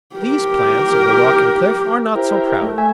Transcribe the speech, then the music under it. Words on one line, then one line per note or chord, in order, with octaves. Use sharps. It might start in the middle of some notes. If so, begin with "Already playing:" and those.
These plants of the rock and cliff are not so proud.
G4 A#4
E4 G4 A#4 C5
A3
E5 G#5